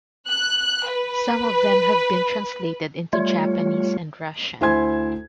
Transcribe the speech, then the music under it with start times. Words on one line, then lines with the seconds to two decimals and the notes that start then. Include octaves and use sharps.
Some of them have been translated into Japanese and Russian.
0.28 F#6
0.88 B4
3.13 G3 A3 F4 C#5
4.61 D2 E4 C5 G#5 C6 G#6